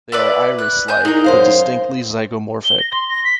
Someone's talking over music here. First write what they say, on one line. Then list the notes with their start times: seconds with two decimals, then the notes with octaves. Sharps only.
They are iris-like but distinctly zygomorphic.
0.12 E4 B4 D5
0.59 F#6
0.88 G#5 D#6 G6
1.05 D#4 G#4 A#4
1.24 F#2 C5 F5
2.64 G7
2.80 A#6
2.92 C6
3.08 A#6
3.24 B6